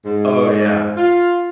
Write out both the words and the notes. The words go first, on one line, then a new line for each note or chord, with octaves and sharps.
Oh, yeah.
G#2
F4